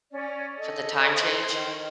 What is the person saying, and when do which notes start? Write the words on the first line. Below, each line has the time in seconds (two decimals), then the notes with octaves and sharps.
for the time change
0.11 C#4 D5
0.58 A4 D#5
1.11 C5
1.49 D#3